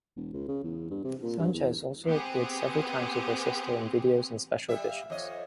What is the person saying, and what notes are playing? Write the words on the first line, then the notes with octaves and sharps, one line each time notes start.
Sanches also appeared several times with her sister in videos and Special Editions.
E1
C#2
C#3
E2
G2
C3
A#2
G2
E2
B3 C4 G4 G#4
G3 E5
F5
F2 C#5 D#5